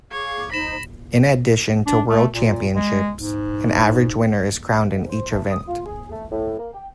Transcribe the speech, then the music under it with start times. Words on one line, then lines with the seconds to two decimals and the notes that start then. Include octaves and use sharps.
In addition to world championships, an average winner is crowned in each event.
0.11 G#4 C#5 F5 D6
0.52 D#4 C5 B5 A#6 E7
1.86 D4
2.09 A3
2.34 A#2
2.76 G#3
3.18 G#2
4.94 G#2
5.10 C5
5.31 A3
5.51 D#6
5.68 F4
5.86 G#4
6.11 A3
6.32 A2
6.59 A#3
6.73 G5